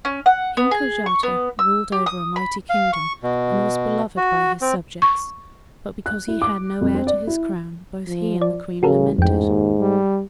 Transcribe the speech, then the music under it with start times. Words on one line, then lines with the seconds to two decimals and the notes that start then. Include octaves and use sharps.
King Kojata ruled over a mighty kingdom, and was beloved by his subjects; but because he had no heir to his crown, both he and the Queen lamented.
0.05 C#4
0.26 F#5
0.57 B3
0.71 G#4
1.06 C#6
1.23 B3
1.59 E6
1.92 G4
2.06 D#6
2.36 B5
2.70 F5
2.93 C#6
3.23 B2
4.17 F#4
4.62 C4
5.02 C#6
6.06 F#6
6.28 E4
6.42 D6
6.81 F2
6.95 C4
7.07 D5
7.27 E4
8.07 F3
8.42 D5
8.83 A1 C#3 F#4 A4 A#4
9.19 F2 G#2 G5
9.47 D#2
9.80 G3